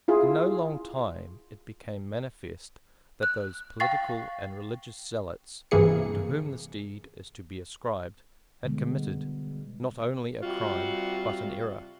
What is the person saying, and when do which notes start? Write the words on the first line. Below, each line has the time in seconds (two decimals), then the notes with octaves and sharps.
In no long time it became manifest that those political and religious zealots, to whom this deed is to be ascribed, had committed, not only a crime, but an error.
0.08 E4 F4 G#4
3.23 F#6
3.80 F5 G5 C#6 A6 C7
5.71 G2 C3 E3 A#3 G#4 C#7
8.64 B2 D3 G3 G#3 B3
10.42 C3 G3 F4 F#4